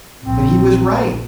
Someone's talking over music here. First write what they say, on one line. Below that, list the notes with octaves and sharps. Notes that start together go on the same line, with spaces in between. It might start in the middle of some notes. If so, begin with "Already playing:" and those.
But he was right.
A#1 C4